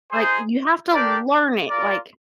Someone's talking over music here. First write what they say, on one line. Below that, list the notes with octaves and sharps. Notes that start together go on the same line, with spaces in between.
Like, you have to learn it, like,
D#4 G#4 C5
D4 G4 A#4 D5 G5
F4 A#4 D5